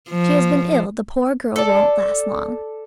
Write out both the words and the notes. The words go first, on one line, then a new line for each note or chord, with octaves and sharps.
"She has been ill; the poor girl won't last long."
F3
A4 D5